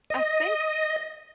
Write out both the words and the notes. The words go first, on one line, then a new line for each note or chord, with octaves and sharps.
I think
D#5